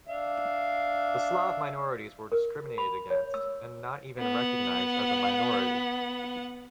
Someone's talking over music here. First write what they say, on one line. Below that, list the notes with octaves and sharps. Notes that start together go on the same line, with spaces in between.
The slav minorities were discriminated against, and not even recognised as a minority.
D4 E5 F5
A#4
B5
C#5
E6
B3 F#5